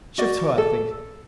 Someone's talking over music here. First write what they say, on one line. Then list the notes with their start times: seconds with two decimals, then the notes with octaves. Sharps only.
'Shift ho, I think.
0.18 F#4 D5
0.58 A4